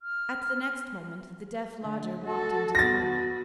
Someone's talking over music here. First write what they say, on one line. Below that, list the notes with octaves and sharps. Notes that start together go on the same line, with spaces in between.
At the next moment, the deaf Lodger walked into the room.
F6
D3 A3
F#4 A4
B3 F#4 A6 A#6